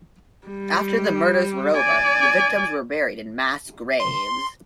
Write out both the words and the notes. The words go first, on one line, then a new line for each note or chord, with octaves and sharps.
After the murders were over the victims were buried in mass graves.
G3
D5 G#5
C6